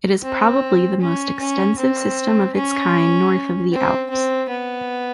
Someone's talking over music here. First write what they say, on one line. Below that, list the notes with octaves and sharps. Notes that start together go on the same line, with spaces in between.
It is probably the most extensive system of its kind north of the Alps.
C4
C#4
C#4
C4
C#4
C4
C4
B3